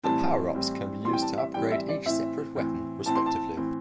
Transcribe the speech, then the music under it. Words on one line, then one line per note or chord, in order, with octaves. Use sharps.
The power-ups can be used to upgrade each separate weapon respectively.
A2 E3 G3 C4 A5
A2 E3 G3 C4
A2 E3 G3 C4 C6
G5
A5
E5
A2 E3 G3 C4 G5
E5
D5
A2 E3 C4 E5
A2 E3 C4
A2 E3 C4 A5
C6
A5
A2 E3 C4